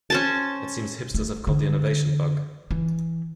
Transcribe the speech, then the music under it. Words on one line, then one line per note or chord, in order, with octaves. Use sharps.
It seems hipsters have caught the innovation bug.
C#4 C5 A5
A3
D3
E3